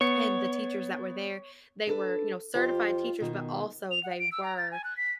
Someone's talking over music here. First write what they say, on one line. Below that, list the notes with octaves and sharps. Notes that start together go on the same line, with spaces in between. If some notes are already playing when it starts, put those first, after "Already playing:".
and the teachers that were there, they were, you know, certified teachers, but also they were,
B3 C#5 C#7
D4 A4 B4
F2 F4 G4 C5
B2 D#3
F7
F#5
D7
E6
A#5
A6
G#5
F#6
B6